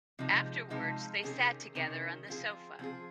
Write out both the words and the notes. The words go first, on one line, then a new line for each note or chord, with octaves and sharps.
Afterwards they sat together on the sofa.
C3 F3 G#3 D#4
C3 F3 G#3 D#4
C3 D#3 C#4 G#4
C3 D#3 C#4 G#4
F3 C4 F4 G#4
F3 C4 F4 G#4